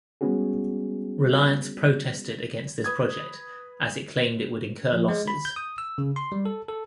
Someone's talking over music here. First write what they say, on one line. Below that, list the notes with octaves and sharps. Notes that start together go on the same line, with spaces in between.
Reliance protested against this project as it claimed it would incur losses.
G3 G#3 B3 C#4 F#4 G#4
B4 D#6 G#6
F3
G#3
B5
G6
D#6
E6
C#3
C6
G3
A4
A4